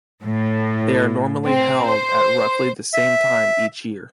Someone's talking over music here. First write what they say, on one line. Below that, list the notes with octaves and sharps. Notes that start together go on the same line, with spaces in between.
They are normally held at roughly the same time each year.
A2
C4
C5
E5